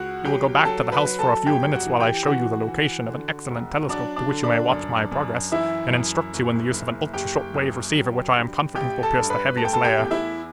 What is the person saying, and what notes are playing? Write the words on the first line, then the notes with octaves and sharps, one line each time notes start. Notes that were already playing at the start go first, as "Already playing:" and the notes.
We will go back to the house for a few minutes while I show you the location of an excellent telescope through which you may watch my progress, and instruct you in the use of an ultra-short-wave receiver which I am confident will pierce the Heaviside layer.
Already playing: C#2 F#4 F#5
F#3 G4 G5
F#3 A4 A5
B4 B5
F#3
A4 A5
G1 G4 G5
F#4 F#5
E3
G4 G5
E3 F#4 F#5
E3
D3
E1
F#3 D4 D5
D4 D5
D3
D4 D5
F#2
F#2
E3 E4 E5
F#2
F#1
F#1
F#1 G4 G5
F#2
F#3
G2
A1 G4 G5
A4 A5
G2
B4 B5
A3 A5
G5
A4 A5
G4 G5
E2
E4 E5